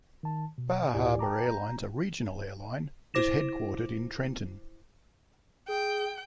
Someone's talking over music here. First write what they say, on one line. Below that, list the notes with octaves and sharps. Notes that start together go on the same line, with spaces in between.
Bar Harbor Airlines, a regional airline, was headquartered in Trenton.
D#3 A5
B2
D2 A2 E4 G4 D5 G#5
G5 A5 A#5 D6
A#5 G6
E4 C5 D6 A#6 E7
G#4 G5